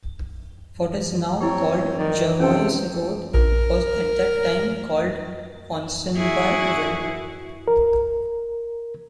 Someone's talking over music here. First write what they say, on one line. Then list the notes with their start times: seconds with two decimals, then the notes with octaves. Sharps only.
What is now called Jervois Road was at that time called Ponsonby Road.
1.40 C4 E4 G4 C#5
1.98 D#3 D5
2.40 C3 C#4 A4 G5
3.34 A#1 A#4
6.16 E4 F#4 G#4
7.68 A#4